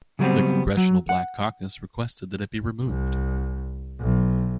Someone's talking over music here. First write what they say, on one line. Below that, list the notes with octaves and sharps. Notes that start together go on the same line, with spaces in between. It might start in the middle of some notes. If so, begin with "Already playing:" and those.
The Congressional Black Caucus requested that it be removed.
C#3 F#3 G3 B3 C4
F#3
F#5
C2
B1